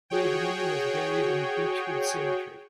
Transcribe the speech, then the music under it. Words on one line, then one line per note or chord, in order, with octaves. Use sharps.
Hurdman was buried in Beechwood Cemetery.
F#4 G#4 C#5 G5